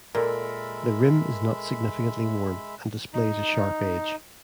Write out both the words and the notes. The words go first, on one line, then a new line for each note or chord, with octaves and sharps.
The rim is not significantly worn, and displays a sharp edge.
A#2 G#3 A4 A#4 E5 B5
D#4